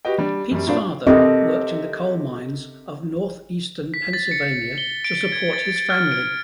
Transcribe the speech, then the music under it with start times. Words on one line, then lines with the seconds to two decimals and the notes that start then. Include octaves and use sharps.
Pete's father worked in the coal mines of northeastern Pennsylvania to support his family.
0.05 F#4 G4 B4 D#5 G5
0.18 G3 D4
0.51 F#2 G3
0.67 A2 F#3 A#3 C4 D4 F4
1.07 C3 A4 A#4 D#5
3.94 B6
4.13 A6
4.31 C#7
4.78 G7
5.04 D7
5.32 G#6
5.53 A6
5.76 A6
5.90 F6
6.12 D7